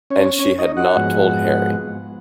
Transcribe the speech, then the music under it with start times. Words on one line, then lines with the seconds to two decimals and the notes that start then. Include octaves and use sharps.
And she had not told Harry!
0.10 C#4 C#5
0.39 C#4 C#5
0.59 D#4 D#5
0.77 F#4 F#5
0.96 G#2 F3 G#3 B3